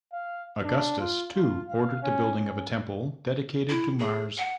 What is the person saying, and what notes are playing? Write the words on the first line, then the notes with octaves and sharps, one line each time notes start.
Augustus, too, ordered the building of a temple, dedicated to Mars.
F5
D4
F4
F4
F5
C#4
C#4
E4
G#4
F#5